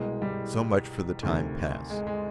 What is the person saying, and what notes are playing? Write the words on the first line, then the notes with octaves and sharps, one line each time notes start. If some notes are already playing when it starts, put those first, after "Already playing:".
So much for the time past.
Already playing: C2 B2 G#3
G3
D2 C3 D#3
G#3
G#3